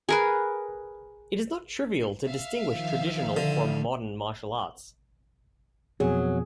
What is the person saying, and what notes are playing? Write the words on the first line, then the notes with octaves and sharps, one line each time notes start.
It is not trivial to distinguish "traditional" from "modern" martial arts.
G#4 A#4 B4
E5 F5
D#3 F3
D3
F2 B2 F#3 G#4